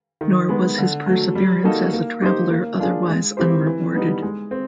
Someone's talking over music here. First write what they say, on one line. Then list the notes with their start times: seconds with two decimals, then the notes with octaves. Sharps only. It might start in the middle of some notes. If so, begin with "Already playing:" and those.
Nor was his perseverance as a traveller otherwise unrewarded.
0.21 D#3
0.49 G#3 B3
0.78 D3
1.06 F#3 A3
1.35 G3
1.64 A#3 D#4 F#4 A4
1.93 A#3
2.22 D#4 G4 C5
2.50 A#3
2.79 D4 F4 G#4
3.08 G#3
3.37 C4 E4 G4 C5
3.66 E3
3.95 G3 B3 D#4
4.22 G#3
4.51 C4